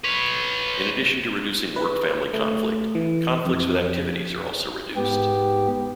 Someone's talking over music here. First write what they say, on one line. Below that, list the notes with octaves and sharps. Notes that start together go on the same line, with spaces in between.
In addition to reducing work-family conflict, conflicts with activities are also reduced.
B4 C#5
B4
A3
E3
F2
G#2 B3 G4